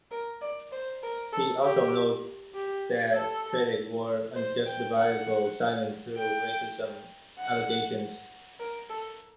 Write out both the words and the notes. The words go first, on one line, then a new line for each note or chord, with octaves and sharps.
He also notes that critics were unjustifiably silenced through racism allegations.
A#4
D5
C5
A#4
A4
G4
G4
A4
C5
G5
F#5
G5
F#5
A#4
A4